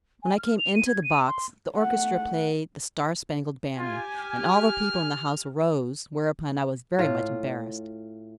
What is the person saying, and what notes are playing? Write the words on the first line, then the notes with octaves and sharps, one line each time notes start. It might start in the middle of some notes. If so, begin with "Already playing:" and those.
When I came into the box, the orchestra played the 'Star-Spangled Banner,' and all the people in the house arose; whereupon I was very much embarrassed.
G#5
F6
F7
D#7
G#6
D#7
C6
A3 F#5
F4 G4 G#5
F6
A2 F4